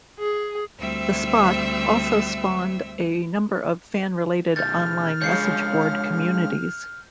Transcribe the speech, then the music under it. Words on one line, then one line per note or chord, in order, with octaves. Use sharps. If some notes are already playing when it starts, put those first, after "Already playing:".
The Spot also spawned a number of fan-related online message board communities.
G#4
D2 G3 C4 E5 E6
B2 D#3 F6 G6 A6
C#3 F3 G#3 D4 C#5 G6 C7 C#7